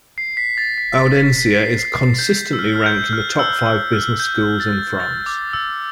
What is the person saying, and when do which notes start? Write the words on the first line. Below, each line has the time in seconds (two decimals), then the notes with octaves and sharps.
Audencia is consistently ranked in the top five business schools in France.
0.18 C7
0.37 B6
0.58 A6
0.78 B6
1.18 B6
1.38 B6
1.59 C7
1.79 C7
2.19 G6
2.53 E6
2.59 F6
2.75 F6
2.86 G6
3.13 F6
3.39 E6
3.66 E6
3.93 F6
4.20 G6
4.60 A6
5.00 A6
5.26 D6
5.53 E6